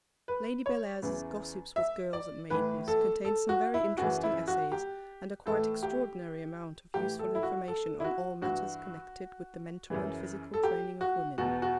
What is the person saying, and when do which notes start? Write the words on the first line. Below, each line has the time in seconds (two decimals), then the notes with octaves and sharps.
Lady Bellairs's Gossips with Girls and Maidens contains some very interesting essays, and a quite extraordinary amount of useful information on all matters connected with the mental and physical training of women.
0.28 B4
0.66 C#5
1.02 E2 C#3 E3
1.76 E5
2.13 D5
2.50 A2 E3 B4
2.88 A4
3.25 A4
3.49 F#4
3.74 E4
3.97 F#2 C#3 E3 F#4
4.23 E4
4.48 F#4
4.72 G4
5.46 A2 E3 A4
5.83 G4
6.94 A2 E3 G4
7.19 A4
7.35 E4
7.43 F#4
7.68 A4
8.00 E4
8.04 F#4
8.42 G2 E3 F#4
9.90 F#2 C#3 E3
10.54 A4
10.63 G4
11.01 F#4
11.38 E2 B2 F#4
11.62 F#4